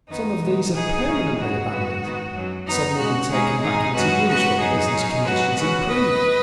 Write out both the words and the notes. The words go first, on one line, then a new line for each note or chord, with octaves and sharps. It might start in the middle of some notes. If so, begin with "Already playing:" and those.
Some of these are permanently abandoned; some will be taken back into use when business conditions improve.
F#2 D#3 B3 D#4
B2 G#3 B3
B2 B3 D#4 G#4
F#2 C#3 G#3 C#4
C#3 B3 F#4
G#2 G#3 B3
G#2 D#3 B3
F#2 F#3 C#4
F#2 D#3 B3 D#4
B2 G#3 C#4 F#4
B2 G#3 C#4 D#4 G#4
G#2 D#3 G#3 D#4 G#4
F#2 D#3 G#3 C#4 F#4 B4
C#3 G#3 B3 F#4 B4
F#2 F#3 B3 D#4 G#4
C#3 F#3 C#4
G#2 F#3 C#4 F#4 B4
C#3 G#3 C#4 F#4 B4
F#2 F#3 B3 B4 D#5